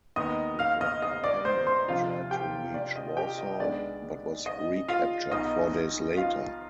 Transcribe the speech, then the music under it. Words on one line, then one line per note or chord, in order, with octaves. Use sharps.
With a companion he tried to reach Warsaw, but was recaptured four days later.
D#2 D#3 B3 D#5 D#6
F5 F6
D#5 D#6
D#5 D#6
D5 D6
C5 C6
C5 C6
D2 C3 F3 F4 F5
G4 G5
D5
D#5
G4 G5
D#5
B1 B2 G#3 B3 D4 D5
D#5
F4 F5
B1 B2 B3 D#4 D#5
F4 F5